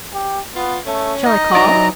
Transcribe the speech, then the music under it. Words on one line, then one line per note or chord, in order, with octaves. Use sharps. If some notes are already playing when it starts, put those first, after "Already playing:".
"Shall I call?"
G4
B3 F4
A3 C#4
D#4 D#5
E3 F#3 D#4 D5 A#5